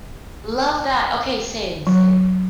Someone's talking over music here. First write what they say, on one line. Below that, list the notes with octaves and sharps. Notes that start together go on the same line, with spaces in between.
Love that! Okay, same, same.
F#3